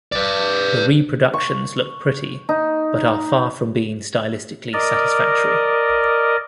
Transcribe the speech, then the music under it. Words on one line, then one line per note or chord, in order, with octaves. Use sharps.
The reproductions look pretty, but are far from being stylistically satisfactory.
B4 D5
C#6
D#4
A#4 D5 D#5